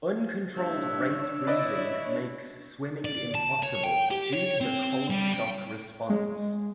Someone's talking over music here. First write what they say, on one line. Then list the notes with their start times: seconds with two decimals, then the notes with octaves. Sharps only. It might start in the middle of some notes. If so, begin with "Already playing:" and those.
Uncontrolled rate breathing makes swimming impossible due to the cold shock response.
0.55 G2 D#3 D4 C#5 E5 E6
1.47 E4 B4 D5 D#5
3.05 D5
3.35 A5
3.63 C#5
3.84 G5
4.11 G4
4.33 C#5
4.61 C4
5.10 G3
5.34 G5
6.10 G#3